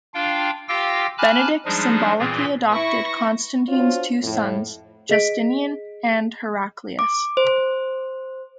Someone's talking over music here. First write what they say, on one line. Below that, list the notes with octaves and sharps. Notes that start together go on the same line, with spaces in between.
Benedict symbolically adopted Constantine's two sons Justinian and Heraclius.
D4 F4 F5 G5
F4 G4 F5 G5 E6 A#6
G#5 A5 B5 D6 F6 F#6
F3 G3 G#3 D4 D#4 G#4
A#2 E3 C4 F4 G#4
E4 B4 C#6 A#6
D4 F4 F#4 C5 C#5
F2 A2
G#4 D#5 B6 D7
D6
C5